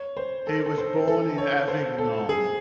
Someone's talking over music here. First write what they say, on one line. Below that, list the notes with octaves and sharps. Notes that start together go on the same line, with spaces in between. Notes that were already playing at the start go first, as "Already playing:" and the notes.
He was born in Avignon.
Already playing: C#5
C5
A4
A4
C5
A4
C#5
C5
A4
G#4